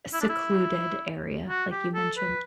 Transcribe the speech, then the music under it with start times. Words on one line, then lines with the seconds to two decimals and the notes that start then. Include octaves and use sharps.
secluded area like you mentioned.
0.13 E4
0.21 D4
0.29 E4
1.49 F#4
1.72 G4
1.95 A4
2.17 B4